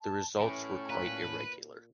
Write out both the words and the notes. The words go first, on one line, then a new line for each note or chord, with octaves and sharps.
The results were quite irregular.
A5
A2 E3 C#4
A#2 B4 A#5